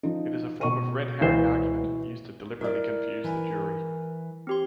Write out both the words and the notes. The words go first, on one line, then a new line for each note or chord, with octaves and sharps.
It is a form of Red Herring argument, used to deliberately confuse the jury.
F3 D#4
B2 C#6 D#7
C#2 E3 C5
E4 A#4 D5
E3
C4 G4 C6